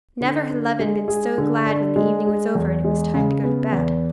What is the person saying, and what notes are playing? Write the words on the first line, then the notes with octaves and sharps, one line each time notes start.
Never had Levin been so glad when the evening was over and it was time to go to bed.
D3
D4
G#3
G#4
D3
D4
G#3
G#4
E2
G#3
C#3
B3
E2